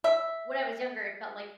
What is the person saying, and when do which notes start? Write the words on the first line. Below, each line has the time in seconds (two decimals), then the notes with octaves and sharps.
When I was younger, it felt, like,
0.04 E5